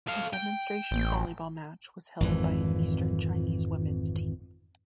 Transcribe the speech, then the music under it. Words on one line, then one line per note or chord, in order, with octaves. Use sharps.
A demonstration volleyball match was held by an Eastern Chinese women's team.
A4 F5
G5
A1
G#1 F2 E3